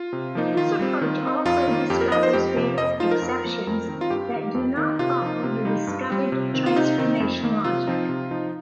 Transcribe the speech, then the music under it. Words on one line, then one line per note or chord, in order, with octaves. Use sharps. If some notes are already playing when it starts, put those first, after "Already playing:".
This approach also discovers data exceptions that do not follow the discovered transformation logic.
Already playing: F4
C3
F3 A#3 D#4
D#3 F4
G3 C4
D#3
C4 D#4
F2 F4
D#3 A#3
F2 G4
A#4
F3 D#4 D#5
C5
F2 G4
C3 F3 A#3
F2 D#5
F3 D#4 F4
A#4
F2
F3 A#3
F2
D#3 C4 D#4
F4
G2 G4
D#3 A#3
F2
D#3 A#3 D#4
C3 F4
F3 D#4
C3
G3 D#4
G2
G3 C4
C3
D#3 C4
F4
C3 D#4
D#3 C4 D#4
F2
D#3 A#3
C3 F4
F3 C4 D#4
C3
F3 D#4